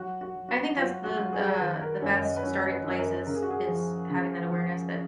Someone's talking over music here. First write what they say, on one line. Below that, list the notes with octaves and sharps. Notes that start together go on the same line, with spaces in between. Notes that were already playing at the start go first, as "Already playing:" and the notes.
I think that's the the the best starting place is is having that awareness that,
Already playing: F#3 F#4
F#4
F#3
F#4
F#3 F4
F#4
F#3
G#4
D#3 B4
A#4
F#2 C#5
D#5
B4
F#2 C#5
B4
F#2
A#4
C#3 A#4
G#4
F#4
G#4
F3
C#3
F3